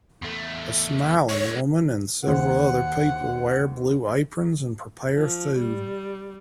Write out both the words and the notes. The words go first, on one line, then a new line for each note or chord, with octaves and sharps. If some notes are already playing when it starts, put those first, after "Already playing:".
A smiling woman and several other people wear blue aprons and prepare food.
E2 A3
D3 G#3 C#5
D#2 C5 F#5
F3
G3